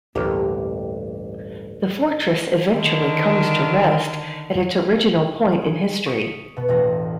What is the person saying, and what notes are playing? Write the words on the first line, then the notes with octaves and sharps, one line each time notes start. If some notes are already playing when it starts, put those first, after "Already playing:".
The fortress eventually comes to rest at its original point in history.
A1 D2 G2 A#3 G4 A#5
D3 D#3
F#3
G#4
C#6 D#6 B6 C#7 D7
B2 B3
E1 A1 A#6